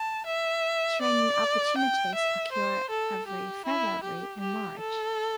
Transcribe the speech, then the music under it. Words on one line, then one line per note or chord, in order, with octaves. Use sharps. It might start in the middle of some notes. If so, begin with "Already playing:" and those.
Training opportunities occur every February and March.
Already playing: A5
E5
D5
G5
E5
C5
A4
G4
E4
G4
G4
A4